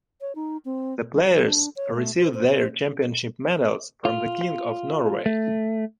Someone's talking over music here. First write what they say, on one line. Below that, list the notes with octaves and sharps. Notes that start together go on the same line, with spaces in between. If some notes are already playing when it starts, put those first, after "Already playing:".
The players received their championship medals from the King of Norway.
C#5
D#4
C4
F#3
D4
C#5
A3
C5
C5
F4
A3